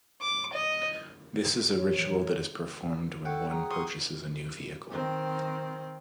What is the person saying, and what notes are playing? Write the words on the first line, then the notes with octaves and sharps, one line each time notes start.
This is a ritual that is performed when one purchases a new vehicle.
D6
D#5
F2 A#2 E3 C#5
A4 C#5 F#5 G5
G#4 A#5
C6 C#6 D#6
D#3 C4